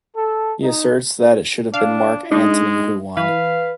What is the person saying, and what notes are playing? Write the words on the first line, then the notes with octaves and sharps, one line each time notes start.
He asserts that it should have been Mark Antony who won.
A4
D#4
D4 F5
G#3 D4 D#4
E3 B4 F5